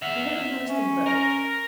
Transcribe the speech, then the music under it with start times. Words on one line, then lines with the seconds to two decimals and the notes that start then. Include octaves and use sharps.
He recognised them both.
0.02 E5 F#5
0.69 C#4
1.06 A#4